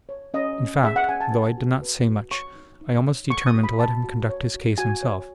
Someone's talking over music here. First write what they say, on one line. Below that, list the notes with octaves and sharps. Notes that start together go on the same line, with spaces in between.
In fact, though I did not say much, I almost determined to let him conduct his case himself.
C#5
C#4 D#5
C#4
G#4 E5
F#5
C#4 G#5
A5
B4
F#4
B4
F#4
C#5 C#6
D#4
D#4
C#5
A4 C#6
D#6
F#4
B5
F#4 A5
F#4
C#5
F#4
F#4 G#5
C#5